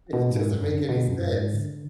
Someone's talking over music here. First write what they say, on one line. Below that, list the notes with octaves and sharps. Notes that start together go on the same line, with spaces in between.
It doesn't make any sense.
B2
G#2
F#2
D3
B2
F#2
G#2
D3